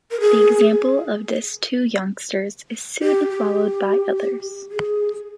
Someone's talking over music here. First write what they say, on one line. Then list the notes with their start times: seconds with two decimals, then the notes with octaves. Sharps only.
The example of this two youngsters is soon followed by others.
0.11 A#4
0.20 G#4
3.03 G4
3.31 G4
4.72 G#4